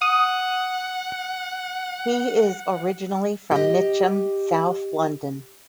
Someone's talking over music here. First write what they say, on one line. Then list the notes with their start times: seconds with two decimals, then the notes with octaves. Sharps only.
He is originally from Mitcham, South London.
0.02 F#5 D#6
3.51 G4 D#5